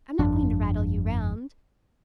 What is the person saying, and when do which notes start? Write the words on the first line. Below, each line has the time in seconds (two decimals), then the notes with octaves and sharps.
I'm not going to rattle you round.
0.19 G1 F2 D4